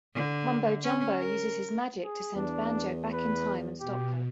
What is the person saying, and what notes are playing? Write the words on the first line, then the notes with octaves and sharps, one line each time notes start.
Mumbo Jumbo uses his magic to send Banjo back in time and stop her.
D3
C#4
A#4
G#4
E2 D4
B4
B2 G4